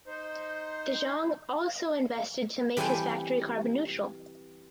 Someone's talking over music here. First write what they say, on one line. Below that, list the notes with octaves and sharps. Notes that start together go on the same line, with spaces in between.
De Jong also invested to make his factory carbon neutral.
D#4 C5
E3 G3 C4 A4 G5 G#5